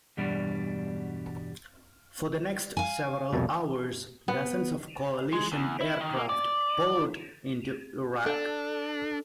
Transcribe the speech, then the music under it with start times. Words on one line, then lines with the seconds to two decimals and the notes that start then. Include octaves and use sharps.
For the next several hours dozens of Coalition aircraft poured into Iraq.
0.17 E2 G2 B2 G3 D4
2.77 F5 G#5
3.33 C2 F2 B2
4.28 B3
5.33 G#3
5.52 E2
5.81 E4
6.01 D#3
6.16 A#3
6.29 D5
8.26 D4 A4